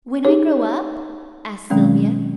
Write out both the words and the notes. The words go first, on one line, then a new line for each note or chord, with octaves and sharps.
"When I grow up?" asked Sylvia.
D#4 G4 G#4 C#5
B2 D#3 F#3 G#3 C4 C#4